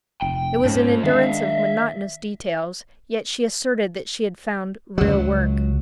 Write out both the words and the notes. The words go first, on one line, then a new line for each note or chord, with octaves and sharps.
It was an endurance of monotonous details, yet she asserted that she had found "real work."
F1 G5
F2 G#2 C4 C#4
D#3 G#3 D4 E5 F5
C#2 F#3